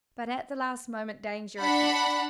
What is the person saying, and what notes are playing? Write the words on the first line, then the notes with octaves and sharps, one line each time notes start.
But at the last moment danger appeared.
D4 F#5 B5